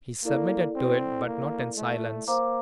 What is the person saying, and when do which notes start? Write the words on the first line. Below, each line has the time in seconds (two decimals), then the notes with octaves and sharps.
He submitted to it, but not in silence.
0.25 A#3 E4 A4 D5
0.76 C4
1.26 A#3
1.77 A3
2.28 A#3 C5 F5 A#5 D6